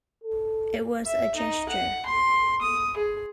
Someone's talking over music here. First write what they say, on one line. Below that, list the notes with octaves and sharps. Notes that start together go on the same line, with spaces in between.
It was a gesture.
A4
E5
D#4
F#5
C6
D#6
G#4